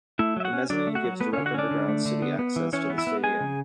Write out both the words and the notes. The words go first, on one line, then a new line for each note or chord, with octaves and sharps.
The mezzanine gives direct underground city access to the Stadium.
A3 E4 E5
F#3 E5
F#4 F#5
C#4
F#3 D4 D5
A3
F#4 F#5
F#3
A3 B3 B4
C#4 C#5
D3
F#4 F#5
C#4 D4 D5
D3
A3
D3
B3
B3
E3
E3 C#4 C#5
B3
E4 E5
B3
G#3 G#4 G#5
C#3